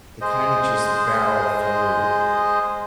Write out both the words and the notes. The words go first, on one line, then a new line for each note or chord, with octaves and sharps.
they kinda just barrel through-
G#3 C5 D#5